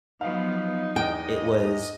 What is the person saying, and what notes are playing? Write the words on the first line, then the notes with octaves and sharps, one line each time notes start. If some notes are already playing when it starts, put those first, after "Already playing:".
it was
F3 F#3 B3 D#4 F5
E2 D#5 G5